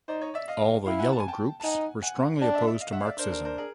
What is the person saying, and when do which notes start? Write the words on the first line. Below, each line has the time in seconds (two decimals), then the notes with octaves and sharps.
All the "Yellow" groups were strongly opposed to Marxism.
0.08 D#4 C5 D5
0.21 C#5 D#5
0.34 D5 E5
0.48 D#5 F5
0.86 E4 F5 G5
0.99 F#5 G#5
1.12 A5
1.20 G#5
1.28 G5 A5
1.60 A5
1.64 D#4 F#5 G#5
2.02 F#5 G#5
2.41 D4 G5 A5
2.54 D5 E5
2.67 D5 E5
2.80 D#5 F5
2.92 E5 F#5
3.00 F5
3.05 D5 E5
3.19 D4 A#4 C5
3.31 A#4 C5
3.45 A#4 C5
3.58 G#4 A#4